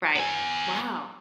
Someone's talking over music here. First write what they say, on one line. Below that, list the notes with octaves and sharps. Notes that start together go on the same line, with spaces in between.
Right, wow.
B3 G#5